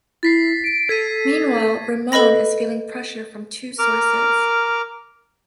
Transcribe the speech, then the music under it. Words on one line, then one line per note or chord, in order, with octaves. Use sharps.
Meanwhile, Ramon is feeling pressure from two sources.
E4 A6 B6 C7
D7
A4 G#6 B6 D#7
A4 B4 D#5 B5 A#6
A#4 D6 F6